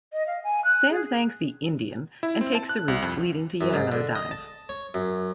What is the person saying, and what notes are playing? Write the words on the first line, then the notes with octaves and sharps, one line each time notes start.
Sam thanks the "Indian" and takes the route, leading to yet another dive.
D#5
F5
G#5
F#6
G#4
E4
C4
A5
F#6
C2
F2
F#2
G#2
D3
D#5
A5
C#5
F#2